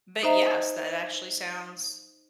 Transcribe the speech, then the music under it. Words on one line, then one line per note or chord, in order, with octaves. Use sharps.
But, yes, that actually sounds
D#4 C5 D#5 E5 A#5